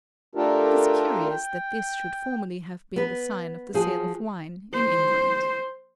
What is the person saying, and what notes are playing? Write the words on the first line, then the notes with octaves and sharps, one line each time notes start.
It is curious that this should formerly have been the sign of the sale of wine in England.
A3 D4 F4 G4 A4 A#4
G5
B3 B4
F3 F#4 G#4
C5